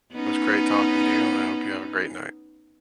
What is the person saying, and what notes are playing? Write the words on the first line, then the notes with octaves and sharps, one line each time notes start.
It was great talking to you, and I hope you have a great night.
B3 C#4 D#4